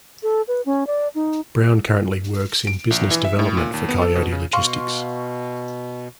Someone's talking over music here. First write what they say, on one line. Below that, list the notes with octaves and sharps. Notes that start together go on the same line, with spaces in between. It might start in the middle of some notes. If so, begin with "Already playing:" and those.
Brown currently works in business development for Coyote Logistics.
A4
B4
C#4
D5
D#4
D7
A#1
E3
E5
A2
A#2
D#2
B3
A4
B2
C#3
B2 F5 C6 C#6